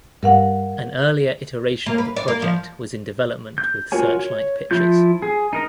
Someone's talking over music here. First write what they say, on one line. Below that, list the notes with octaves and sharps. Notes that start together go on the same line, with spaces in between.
An earlier iteration of the project was in development with Searchlight Pictures.
G2 A#4 F5 F#5
A#3
B4
D5
A#3
F3
G6
F4 F#4 A#4 C#5 G#5
C#5
F3 E4 F4 G6
G#4
D#4 A#4 A#5